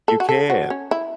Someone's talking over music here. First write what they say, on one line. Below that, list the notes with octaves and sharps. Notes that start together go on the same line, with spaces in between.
You can.
A4
F#4
A4
F#4
C#4
E4